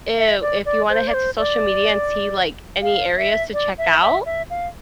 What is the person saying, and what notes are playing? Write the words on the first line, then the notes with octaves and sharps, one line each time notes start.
i if you wanna head to social media, and see, like, any areas to check out,
E5
D5
D5
C5
D5
C5
D5
F5
E5
D5
E5
E5
E5
F5